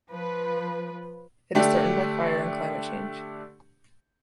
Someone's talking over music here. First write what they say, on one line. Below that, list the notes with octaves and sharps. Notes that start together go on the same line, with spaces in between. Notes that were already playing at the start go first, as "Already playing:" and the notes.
It is threatened by fire and climate change.
F3 B4
D3 A3 D4 G4